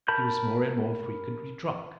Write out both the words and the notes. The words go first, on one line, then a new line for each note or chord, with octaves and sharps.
He was more and more frequently drunk.
A#4 A5 B5 G6